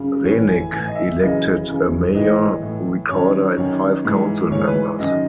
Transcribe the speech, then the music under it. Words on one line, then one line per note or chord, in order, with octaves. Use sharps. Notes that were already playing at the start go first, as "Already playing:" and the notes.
Renick elected a mayor, recorder and five council members.
Already playing: F#2 C#3
A2 E3 C#5
G#5
A2 E3 G#5
D#5
E5
F#2 C#3 E3 D#5
F#2 C#3 E3
A2 E3 D#5
A2 E3
F#2 D#3 C#5
F#2 D#3 C#5
G#2 E3
G#2 E3 C#5
B4
F#2 D#3 D#5